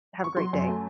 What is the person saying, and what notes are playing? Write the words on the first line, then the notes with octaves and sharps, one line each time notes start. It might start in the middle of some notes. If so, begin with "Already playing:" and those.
have a great day.
C#6
F#3 C6
F#2
A3